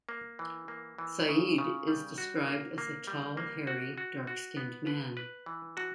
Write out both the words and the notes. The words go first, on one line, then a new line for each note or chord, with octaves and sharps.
Sa'id is described as a tall, hairy, dark-skinned man.
A#3
E3
A#3
E3
C#3
C#3
G3
F#4
A#3
A#3
G3
A#3
F#4
F#4
F#4
B3
B4
B4
E3
F#4